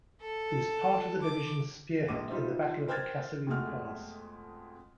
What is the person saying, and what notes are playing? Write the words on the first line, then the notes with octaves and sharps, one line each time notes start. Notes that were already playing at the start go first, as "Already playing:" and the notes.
It was part of the division's spearhead in the Battle of the Kasserine Pass.
A4
D6
A#1 G#3 D6 D#7
F3 G3 D#4 F4 C5 E5
A#4 C5 G5 F6 G#6 A6
F2 B2 G#3 A3 F#4 F6